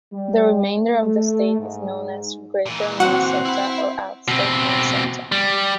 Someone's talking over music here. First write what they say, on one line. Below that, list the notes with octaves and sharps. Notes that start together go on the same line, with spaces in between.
The remainder of the state is known as "Greater Minnesota" or "Outstate Minnesota".
G3
A3
G#2
A#2 E3
C4 F#4 F#5
E4 B5
B2 C4
G3